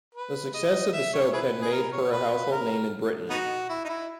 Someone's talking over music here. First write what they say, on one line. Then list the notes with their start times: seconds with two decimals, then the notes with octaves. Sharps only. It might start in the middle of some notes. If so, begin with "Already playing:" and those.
The success of the soap had made her a household name in Britain.
0.15 B4
0.54 D#5
0.93 E5
1.14 C#5
1.33 E4 G#4 B4
1.62 G#4
1.72 A#4
1.92 C#5
2.12 B4
2.52 A#4
3.30 B3 D#4 F#4
3.69 E4
3.85 D#4
3.89 E4